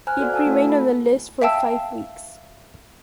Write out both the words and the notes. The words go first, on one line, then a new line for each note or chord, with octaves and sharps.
It remained on the list for five weeks.
C5 G#5 A#5 F6 F#6
F#4 A4 C5 D5 F#5
F5 G#5 A5 E6
A3 E4 F#4 A4
B5
E5 F5 G5 A5 E6